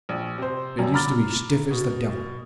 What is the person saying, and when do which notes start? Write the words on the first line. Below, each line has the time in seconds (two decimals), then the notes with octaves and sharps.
It used to be stiff as the devil.
0.09 A#1
0.38 C3 C5
0.79 F#2 C3 G3
0.94 A#5 B5 D6 F6 A6
1.70 B2